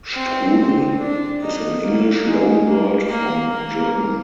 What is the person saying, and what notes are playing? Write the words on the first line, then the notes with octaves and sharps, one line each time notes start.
Strudel is an English loanword from German.
C4
C4
D4
D#4
A#3
G#3
A#3
A#3
A#3